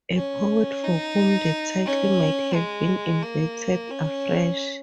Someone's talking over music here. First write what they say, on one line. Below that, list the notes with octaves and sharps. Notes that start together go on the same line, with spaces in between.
A poet for whom the title might have been invented afresh.
C#4
D#4
C#4
G#3
A#3
C#4